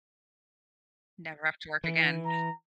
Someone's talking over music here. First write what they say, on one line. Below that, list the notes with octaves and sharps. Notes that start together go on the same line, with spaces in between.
Never have to work again.
E3
A#5